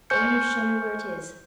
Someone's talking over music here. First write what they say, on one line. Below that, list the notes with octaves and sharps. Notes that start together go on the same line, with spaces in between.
'Only show me where it is.
C5 G#5 C#6 F6 G6 C#7